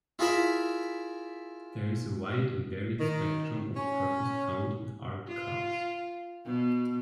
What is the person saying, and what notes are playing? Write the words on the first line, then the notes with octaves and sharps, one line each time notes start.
There is a wide and varied spectrum of purpose found in art cars.
E4 F4 G#4 A#4 E5 B5
D#3
C#4
F4
B2